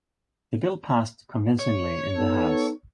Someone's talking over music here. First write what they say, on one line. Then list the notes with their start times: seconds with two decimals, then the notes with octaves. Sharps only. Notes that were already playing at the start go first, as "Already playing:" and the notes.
The bill passed convincingly in the House.
1.59 C#5
2.16 B3 D#4 A4